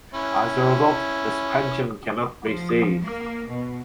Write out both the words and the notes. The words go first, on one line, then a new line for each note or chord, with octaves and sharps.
As a result, his pension cannot be seized.
C#4 E4
F3
A#3
B2